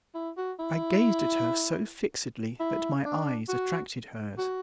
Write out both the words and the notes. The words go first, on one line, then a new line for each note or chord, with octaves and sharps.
I gazed at her so fixedly that my eyes attracted hers.
E4
F#4
E4
E4
D4
F#4
F#4